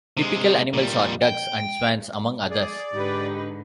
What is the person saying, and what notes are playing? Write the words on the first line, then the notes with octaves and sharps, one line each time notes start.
Typical animals are ducks and swans among others.
C3 G#3
A#2 G3
G5
G#4 D5
G#2 D3 D#4 G4 B4